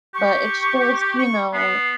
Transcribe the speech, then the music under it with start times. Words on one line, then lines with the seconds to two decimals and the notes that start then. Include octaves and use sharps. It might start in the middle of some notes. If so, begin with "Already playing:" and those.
But it's just, you know,
0.14 G4 C#6
1.19 C#6
1.53 B3 C7